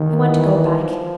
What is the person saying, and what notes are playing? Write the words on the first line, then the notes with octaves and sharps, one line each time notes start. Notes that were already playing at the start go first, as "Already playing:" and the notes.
I want to go back.
Already playing: D#3
E3
F3